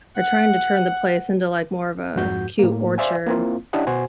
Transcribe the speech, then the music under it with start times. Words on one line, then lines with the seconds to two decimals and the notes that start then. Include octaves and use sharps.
are trying to turn the place into like more of a cute orchard.
0.17 F#5
2.16 F2 G#2 F#4 G6
2.59 A2 A#3
2.98 C5 D5 E5 F5 G#5
3.27 A#3 C4 E4 F4
3.73 C#4 D4 E4 G4 D#5 F#5
3.87 B2 F#4 C5 G#5